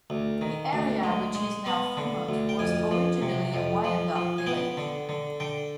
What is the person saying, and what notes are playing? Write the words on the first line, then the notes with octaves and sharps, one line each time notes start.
The area which is now Fremont was originally a Wyandot village.
D2
D#3
D2
G#3
G#3
B3 B5
D3
D2
G5
F2 G#5
F3
C3
F2
F3
F3
G#5
B3 G5
D3
D3
D3 G5